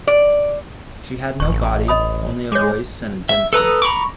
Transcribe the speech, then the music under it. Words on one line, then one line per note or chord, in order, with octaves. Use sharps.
She had no body, only a voice and a dim face.
D5
D#1 C#6
A1
D#5 B5 D#6
G#3 C#5 D6
E5
A4 B4 A#5 D#6
A#5 B5 C#6 D6